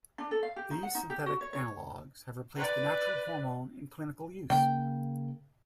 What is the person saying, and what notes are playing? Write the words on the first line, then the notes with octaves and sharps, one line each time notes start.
These synthetic analogs have replaced the natural hormone in clinical use.
D4
A4
F5
G4
D#4
F#5
D#4
G4
F#4
C#5
C#5
B4 D5
C#3 A#3 G5